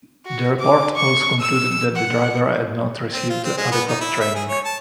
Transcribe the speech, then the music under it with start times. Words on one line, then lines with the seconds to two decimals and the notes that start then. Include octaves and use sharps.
The report also concluded that the driver had not received adequate training.
0.26 F#4
0.60 D6
0.95 C#6
1.40 E6
1.96 F#5
3.13 C4
3.30 F4
3.45 C4
3.57 G#3
3.72 B3
3.88 D#4
4.01 E4
4.20 E5
4.35 G#4
4.48 C#5
4.65 A5